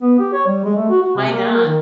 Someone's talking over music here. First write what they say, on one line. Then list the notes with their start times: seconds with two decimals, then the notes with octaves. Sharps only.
Why not?
0.01 B3
0.19 G4
0.33 C#5
0.47 G3
0.64 G#3
0.76 A3
0.89 F#4
1.02 F#4
1.16 C3
1.29 A#3
1.53 A#4
1.65 D#3